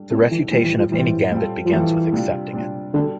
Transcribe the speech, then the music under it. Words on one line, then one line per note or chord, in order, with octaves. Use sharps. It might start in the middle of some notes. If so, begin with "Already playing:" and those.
The refutation of any gambit begins with accepting it.
Already playing: G3 D4 A4
C3 G3 D4 A4
E3
A2 E3 G3 C4
E3
F3
A2 E3 G3 C4
G3 C4 F4 A4
F3
E3 G3 C4 F4 A4
C3 G3 D4 F4
C3 G3 D4 F4
B2 D3 G3 D4 A4